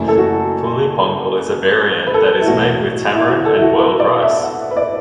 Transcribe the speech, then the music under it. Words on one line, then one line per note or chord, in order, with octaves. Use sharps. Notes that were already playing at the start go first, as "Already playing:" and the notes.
Puli pongal is a variant that is made with tamarind and boiled rice.
Already playing: F#1 F#2 E3 A3
A4
F#4
B4
A4
E4
B1 A2 E3 A3 F#4
E4
F#4
A4
E4
F#4
B4
D5
D5
E5
F#5
B4
D5